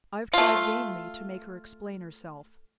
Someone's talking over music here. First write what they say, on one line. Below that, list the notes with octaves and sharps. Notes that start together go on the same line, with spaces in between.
I have tried vainly to make her explain herself.
A3 F4